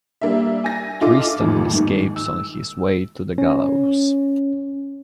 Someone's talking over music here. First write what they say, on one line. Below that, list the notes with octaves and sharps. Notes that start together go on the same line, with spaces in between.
Tristan escapes on his way to the gallows.
G3 A#3 D4 E5
G#5 A#6
D4 F4 A4 D#5 E5 D6
A1 F2 D#3
G#2 D#3
E6
C#4 C#5